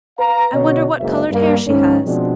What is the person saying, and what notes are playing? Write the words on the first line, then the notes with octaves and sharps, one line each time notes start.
I wonder what coloured hair she has.
B4 F5 A#5
B2 D3 C#5 D#5
F#1 G#2 A#3 E5
G2 A#3
G#2 D#3 C#4
B2 F3 G#3 B3 C4 D4